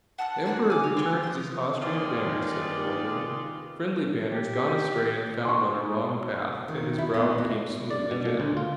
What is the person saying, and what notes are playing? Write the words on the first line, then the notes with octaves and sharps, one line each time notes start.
"The Emperor returns these Austrian banners," said Bilibin, "friendly banners gone astray and found on a wrong path," and his brow became smooth again.
F#5 A5 D#6 F#6
A#3 D4 G#4 F#5
G#5 D6
C#5
C#5 G5 G#5 C6
C6 D#6
D#2 D#3 F4 G#4 B4 D5
G4
C6 C#6
D#3
E4
B3
B2
D5
B2
A#2
D2
F4